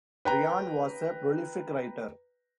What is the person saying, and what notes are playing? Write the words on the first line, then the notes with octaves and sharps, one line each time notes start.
Bryan was a prolific writer.
B4 G5 A#5